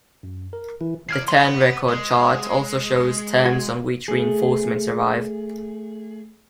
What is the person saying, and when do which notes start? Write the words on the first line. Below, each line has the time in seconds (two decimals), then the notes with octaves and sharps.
The turn record chart also shows turns on which reinforcements arrive.
0.23 F#2
0.53 A#4
0.81 E3 B4
1.09 E2 D5 F6 G#6 C7
1.28 B3 C6
1.88 G#3
3.45 F#4 F#5 G#6
4.08 A3 G#4